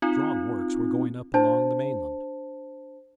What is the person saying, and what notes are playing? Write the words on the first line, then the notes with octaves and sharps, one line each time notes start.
Strong works were going up along the mainland.
C4 D#4 F4
D4 C5 A5